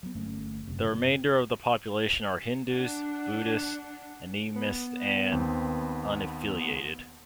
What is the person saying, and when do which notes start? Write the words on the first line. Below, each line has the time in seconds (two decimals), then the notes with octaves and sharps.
The remainder of the population are Hindus, Buddhists, animists, and unaffiliated.
0.03 F#3 B3
0.15 G1 A3 A#3 C#4
0.68 F#1 F#2 C3
0.93 B2
2.70 D4 F#5
4.56 B3
5.32 D#2 C4